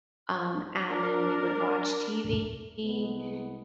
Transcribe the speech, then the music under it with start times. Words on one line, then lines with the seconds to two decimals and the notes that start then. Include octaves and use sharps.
um, and then we would watch TV, you
0.87 D4 A#4
2.83 C2 G#3 B3